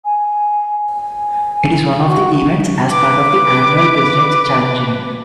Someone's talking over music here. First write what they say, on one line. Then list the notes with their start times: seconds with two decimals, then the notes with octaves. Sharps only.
It is one of the events as part of the annual President's Challenge event.
0.05 G#5
0.96 G#5
2.06 F#4
2.91 B4 D6